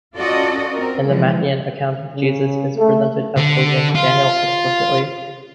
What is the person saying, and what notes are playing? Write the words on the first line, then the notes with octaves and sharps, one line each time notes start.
In the Matthean account, Jesus is presented as quoting Daniel explicitly.
C#4 F4 F#4 A4 D5 D#5
C4 A#4
D3 E3 F3 G#3
C#3
A3
D3
F4